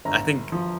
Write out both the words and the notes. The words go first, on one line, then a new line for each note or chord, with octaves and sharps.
I think
G1 A#5
F3